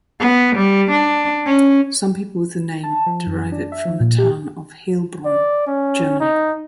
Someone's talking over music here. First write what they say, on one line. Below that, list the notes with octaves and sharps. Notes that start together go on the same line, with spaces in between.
Some people with the name derive it from the town of Heilbronn, Germany.
B3
G3
D4
C#4
A5
F3
F#2
D4
E5
F3
A#2
G4
D5
C#4
D#4